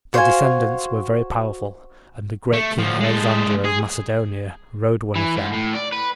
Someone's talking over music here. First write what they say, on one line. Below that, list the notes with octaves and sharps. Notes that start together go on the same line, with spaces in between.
Their descendants were very powerful, and the great king Alexander of Macedonia rode one of them.
F#4 C5 F5 G#5
A3
D2 F3
G#3 A4
G#4
E3
G#2
A2
D5
B4